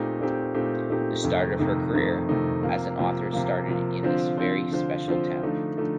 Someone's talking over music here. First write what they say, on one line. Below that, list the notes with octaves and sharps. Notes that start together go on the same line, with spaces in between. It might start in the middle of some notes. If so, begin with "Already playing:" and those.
The start of her career as an author started in this very special town.
Already playing: A#2 A3 C4 D#4 G4
A#2 A3 C4 D#4 G4
A#2 A3 C4 D#4 G4
A#2 A3 C4 D#4 G4
F2 C3 D#3 A3 D#4
F2 C3 D#3 A3 D#4
F2 C3 D#3 A3 D#4
F2 C3 D#3 A3 D#4
C3 F3 A#3
C3 F3 A#3
C3 F3 A#3
C3 F3 A#3
D3 F3 C4 F4 C5
D3 F3 C4 F4 C5
D3 F3 C4 F4 C5
D3 F3 C4 F4 C5
D3 F3 A3 D#4
D3 F3 A3 D#4